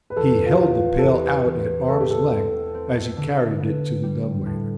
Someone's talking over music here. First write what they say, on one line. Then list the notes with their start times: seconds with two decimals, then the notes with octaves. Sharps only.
He held the pail out at arm's-length as he carried it to the dumb-waiter.
0.10 B4
0.16 E2 A4
0.46 F4
0.53 G4
0.60 E2 F4
0.74 F4
0.98 A4
1.02 E2 G4
1.45 E2
1.88 A3 A4
2.00 G4
2.10 A4
2.31 C4
2.74 C4
3.17 D3
3.60 B3
4.03 G3
4.46 A2